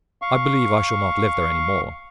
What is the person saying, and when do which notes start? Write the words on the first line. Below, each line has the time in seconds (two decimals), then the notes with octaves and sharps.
I believe I shall not live there any more.'
0.22 F5 C#6